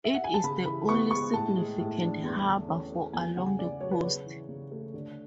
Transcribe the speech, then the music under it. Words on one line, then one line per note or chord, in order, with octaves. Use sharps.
It is the only significant harbour for along the coast.
E5
F#5
G#5
A5
C#3 B5
E3 B5
B3 C#6
G#3 C#6
A2 A5
G#3
A2
D4
E2
D3
C#4
A3
E2 G#5
C#3 F#5
C#4 D5
F#3 C#5
B4
C#3 C#5
E3
C#3
A3
D3